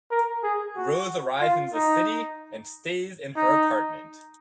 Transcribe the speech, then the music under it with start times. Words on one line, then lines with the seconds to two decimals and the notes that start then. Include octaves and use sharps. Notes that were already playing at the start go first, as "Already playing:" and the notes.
Rose arrives in the city and stays in her apartment.
0.11 A#4
0.43 G#4
0.76 F#4
1.41 F4
1.74 D#4
3.36 D#4